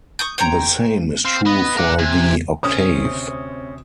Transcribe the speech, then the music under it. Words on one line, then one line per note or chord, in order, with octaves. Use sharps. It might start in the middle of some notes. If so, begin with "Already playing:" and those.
The same is true for the octave.
C#6 D#6 G6
C5 C#5 G5 A#5
C4 F5
B3 D#5
A#4 D5 F#5
C3 G#5
D2 C3 C4 C#4 D#6